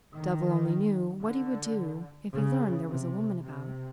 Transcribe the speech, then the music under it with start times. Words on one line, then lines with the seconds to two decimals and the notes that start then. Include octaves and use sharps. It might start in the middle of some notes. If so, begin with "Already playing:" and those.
Devil only knew what he would do if he learned there was a woman about.
0.14 D#3
1.23 D3
2.32 C#3
2.87 C3
3.42 C3